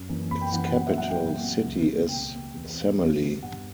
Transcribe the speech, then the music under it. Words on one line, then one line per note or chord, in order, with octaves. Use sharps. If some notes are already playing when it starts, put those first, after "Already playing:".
Its capital city is Semily.
Already playing: F#2
E3 A#3 C#4
F#2 B5
G5
E3 A#3 C#4 F#5
F#5
A#2 F#5
E5
F#3 B3 F#5
G5
A#2
F#3 B3
C#2
B2 A#3
C#2 G5
B2 A#3
E2
B2 G3 B3
E2
B2 G3 B3
G2 F#5